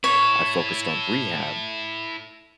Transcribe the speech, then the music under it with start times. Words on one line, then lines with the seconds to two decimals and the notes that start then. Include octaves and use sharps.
I focused on rehab
0.04 E4 A4 C#5